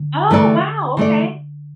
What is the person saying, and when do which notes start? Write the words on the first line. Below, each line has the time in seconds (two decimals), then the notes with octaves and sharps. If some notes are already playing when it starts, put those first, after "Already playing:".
Oh, wow. Okay.
Already playing: D3
0.31 E3 A3 E4 D5
0.97 E3 A3 E4 D5